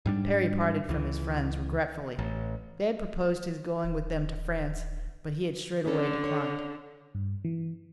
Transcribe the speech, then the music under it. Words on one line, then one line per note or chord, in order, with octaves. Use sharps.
Parry parted from his friends regretfully; they had proposed his going with them to France, but he had straightway declined.
G#2 G3 D4
C#2 E3
A1
D1
D3 C#4 A4
C#5
G2
E3